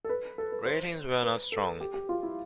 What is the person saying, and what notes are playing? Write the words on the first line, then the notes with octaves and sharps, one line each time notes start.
Ratings were not strong.
A4
B4
A4
B4
C5
B4
A4
G4
G4
F4
E4